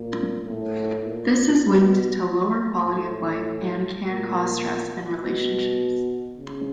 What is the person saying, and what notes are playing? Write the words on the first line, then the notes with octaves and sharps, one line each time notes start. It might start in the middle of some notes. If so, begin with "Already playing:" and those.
This is linked to lower quality of life and can cause stress in relationships.
Already playing: A#2
A2
A#2
B2
A2
A#2
B2
C#3